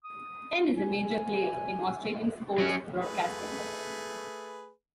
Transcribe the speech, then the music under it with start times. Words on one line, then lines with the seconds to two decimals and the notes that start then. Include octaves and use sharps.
Ten is a major player in Australian sports broadcasting.
0.04 D#6
0.77 G#5
2.58 F#3 C#4
3.01 A3 G#4 B4